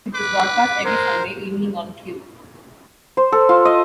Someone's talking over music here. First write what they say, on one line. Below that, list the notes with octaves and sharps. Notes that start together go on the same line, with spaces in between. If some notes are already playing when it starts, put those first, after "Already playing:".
It was broadcast every Sunday evening on Q.
B4 D6
G#3 A#4 C5
C5
A4
F4
D#5